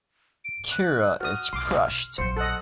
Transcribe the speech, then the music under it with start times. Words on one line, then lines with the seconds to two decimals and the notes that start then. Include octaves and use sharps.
Kira is crushed.
0.45 D7
0.71 F#6
1.20 F#4 D#6 F6
1.53 B1 C6 D6
2.18 A#1 F#3 C5 C#7
2.37 A4 D#5 F#5